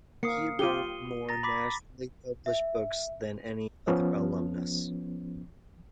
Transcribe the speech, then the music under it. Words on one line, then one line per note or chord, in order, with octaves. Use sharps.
He wrote more nationally-published books than any other alumnus.
A#3 D#6 C7 C#7
F4 G4 D#7 G7
A#5 A6 A#6
B5 D6 B6
E5
F3 B3 C#4